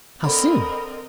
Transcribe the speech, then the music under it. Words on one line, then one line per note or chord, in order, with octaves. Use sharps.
"How soon?"
D3 C4 A#4 D#5 B5